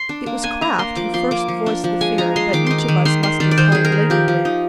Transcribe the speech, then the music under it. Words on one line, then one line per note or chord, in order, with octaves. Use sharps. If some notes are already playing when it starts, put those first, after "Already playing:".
It was Kraft who first voiced the fear that each of us must have held latently.
Already playing: C6
D4
A#3
D4 G#5
D4 A#5
A#3 C6
F3 D6
F3 C6
A#3 D6
F3
D4
F3
G#3 G#5
G#3 A#5
G#3 C6
D#3 D6
D#4 C6
D6
D#3
D#3 C6
D#3 C6
D#3 D5
D5
D#3 C5
D#3 G#4
A#4
D#3
F3 G4
F3
D#4